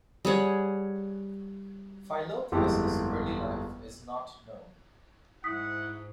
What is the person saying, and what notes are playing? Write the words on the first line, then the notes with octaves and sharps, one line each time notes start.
Philotheus' early life is not known.
G3 G#4 C#5 F#5
G1 F2 G#3 E4 G4
G#2 E4 F#5 D#6 B6